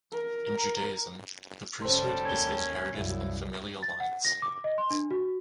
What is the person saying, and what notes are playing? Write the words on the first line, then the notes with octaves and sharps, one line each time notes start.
In Judaism the priesthood is inherited in familial lines.
A#4
F1 G3 C#4 A4 C5 C6
D#2 A#3 C#4 G#6 G7
C2 F#2 C#3 E4
A6
F#5
A#6
D6
D#5
C6
D4
F#4